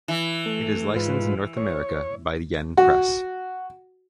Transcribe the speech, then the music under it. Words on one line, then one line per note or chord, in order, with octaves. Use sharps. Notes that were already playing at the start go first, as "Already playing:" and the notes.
It is licensed in North America by Yen Press.
E3
A3
G#2 F4 B4
C#5
F#4